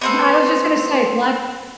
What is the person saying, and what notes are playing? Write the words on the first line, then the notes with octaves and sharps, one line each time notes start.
Yeah, I was just gonna say black
B3 C4 A4